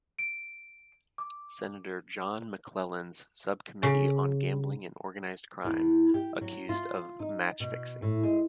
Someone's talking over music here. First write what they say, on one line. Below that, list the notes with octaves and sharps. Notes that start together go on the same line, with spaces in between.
Senator John McClellan's subcommittee on Gambling and Organized Crime, accused of match fixing.
D7
D6
C#3
E2
G4
F#3
F4
D#4
B2
A2
G#3